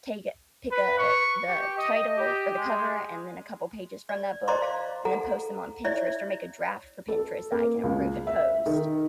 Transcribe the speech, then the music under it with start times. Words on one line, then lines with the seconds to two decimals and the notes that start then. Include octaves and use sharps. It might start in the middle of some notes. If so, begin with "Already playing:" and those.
take it pick a the title, or the cover, and then a couple pages from that book, and then post them on Pinterest, or make a draft for Pinterest that I can approve and post.
0.69 B4
0.98 C#6
1.47 G4
1.76 D#5
2.15 G4
2.56 G#3
4.09 D5
4.48 C5 D5 D#5 A#5 C6 D6
4.62 F5
5.05 G#4 A4 F#5 A#5
5.84 E4 C#5 D5 E5
7.08 A4
7.52 A#3
7.84 C#2
8.27 E5
8.66 D#3